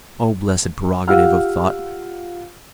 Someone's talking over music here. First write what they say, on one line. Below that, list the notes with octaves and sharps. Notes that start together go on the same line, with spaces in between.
O blessed prerogative of thought!
F4 G4 F5 F#5 E6 F6